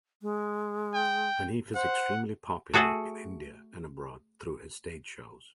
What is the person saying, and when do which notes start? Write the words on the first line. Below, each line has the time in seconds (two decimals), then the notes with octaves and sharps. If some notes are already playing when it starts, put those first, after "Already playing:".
Haneef is extremely popular in India and abroad through his stage shows.
0.22 G#3
0.94 G5
1.74 C5 F#5
2.74 A3 F#4 G#4 A4 F#5